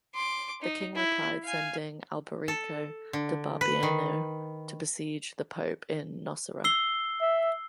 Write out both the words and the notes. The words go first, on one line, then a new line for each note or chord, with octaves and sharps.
The King replied sending Alberico da Barbiano to besiege the pope in Nocera.
C6 D6
D#4
E4
F5 G#5
A4
D3
B4
D#3
E6 C7 G7
E5